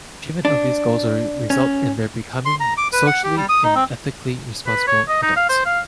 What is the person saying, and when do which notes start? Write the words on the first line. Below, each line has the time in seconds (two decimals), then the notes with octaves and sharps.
Achievement of these goals will result in their becoming socially and ethically responsible adults.
0.45 D4
1.50 C#4
2.45 C6
2.60 A#5
2.77 D6
2.93 B4
3.07 F#5
3.24 G4
3.36 G3
3.49 D#6
3.64 D#4
3.75 C4
4.67 B4
4.87 C#5
5.09 D#5
5.22 D#4
5.36 F5
5.49 C5
5.66 F5